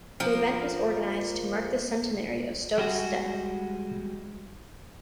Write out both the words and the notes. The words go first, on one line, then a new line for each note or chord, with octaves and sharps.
The event was organised to mark the centenary of Stokes' death.
F3 A#3
G3 G#3 F#4